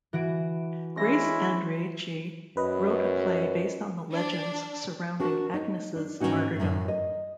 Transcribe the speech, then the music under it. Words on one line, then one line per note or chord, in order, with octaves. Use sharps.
Grace Andreacchi wrote a play based on the legends surrounding Agnes's martyrdom.
E3 F#4 D7
G#3 C#4 E4 C6 A#6
F#2 B4 D#5
D4
D4 F#4 A#4 A5
D#4
D4
G#2 D#3 G#3 C#4 D#4 F#4
F#2 A2
D#5